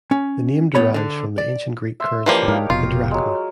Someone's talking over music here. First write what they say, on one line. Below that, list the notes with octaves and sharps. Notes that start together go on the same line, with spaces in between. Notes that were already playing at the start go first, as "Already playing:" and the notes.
The name derives from the ancient Greek currency the drachma.
C#4
A2 B3 C#5 B5
D3 D4
D5
E5 C6
E3 F3 A#3 D4 G4 C#5
G#2 A#4 D#5 F5
F1 B2 F4
F#3 G#3